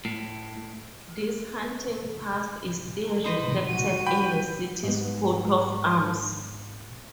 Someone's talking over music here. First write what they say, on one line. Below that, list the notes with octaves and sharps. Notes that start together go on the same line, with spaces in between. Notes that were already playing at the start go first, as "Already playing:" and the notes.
This hunting past is still reflected in the city's coat of arms.
A2
D#4 C5 D#5 B5
F#4 D#7
G5 B5
G#2 B3